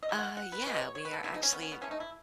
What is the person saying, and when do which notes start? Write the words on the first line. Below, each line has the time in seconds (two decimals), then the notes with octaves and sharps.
Uh, yeah, we are actually
0.03 D#5
0.09 D#3 A3 E5
0.19 F#5
0.37 F#5
0.52 B4
0.66 C#3 G#3 B3 B4
0.74 D#5
0.81 C#5
0.95 C#5
1.05 B4
1.13 A4
1.23 G#3 B3 E4
1.28 C#3
1.34 D#4
1.43 C#4
1.53 B3
1.62 C#4
1.72 B3
1.81 C#3 E3 A3 C#4
1.91 D#4
2.00 E4